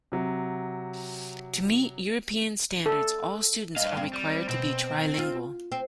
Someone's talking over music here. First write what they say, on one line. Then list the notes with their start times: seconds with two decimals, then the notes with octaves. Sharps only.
To meet European standards, all students are required to be trilingual.
0.12 C3 F#3
2.86 A4
3.76 G2 D#5 F5
3.97 C4
4.13 G3
4.49 B2 C4
5.18 F4
5.72 C4